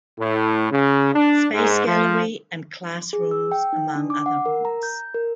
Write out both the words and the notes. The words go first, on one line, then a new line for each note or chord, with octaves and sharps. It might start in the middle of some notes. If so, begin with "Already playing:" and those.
Space gallery, and classrooms, among other rooms.
A2
C#3
D4
G#2
F3
G#4
E6
G5
D#4
D4
D6
F#5
A#4
A#5
G6
A#4